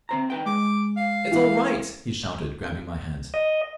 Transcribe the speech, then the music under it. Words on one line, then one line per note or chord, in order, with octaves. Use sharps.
"It's all right!" he shouted, grabbing my hands.
C4 C5 A#5
D#4 B4 G5
G#3 D6
F5
E3
D#5